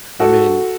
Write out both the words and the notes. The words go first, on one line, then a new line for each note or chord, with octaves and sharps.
I mean,
F#4 A4